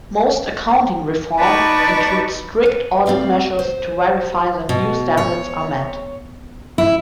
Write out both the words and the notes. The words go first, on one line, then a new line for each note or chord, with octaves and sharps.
Most accounting reform includes strict audit measures to verify that new standards are met.
D#4 B4 D5 A5 B5 C#6
B4
A3 C4 D5 F5 G5
C5
B2
C#5
E4